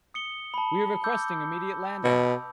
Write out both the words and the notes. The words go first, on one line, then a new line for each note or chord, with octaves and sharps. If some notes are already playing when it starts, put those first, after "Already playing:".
We are requesting immediate landing!
D#6 C#7 G7
A5 B5
D6 E6 G6
B2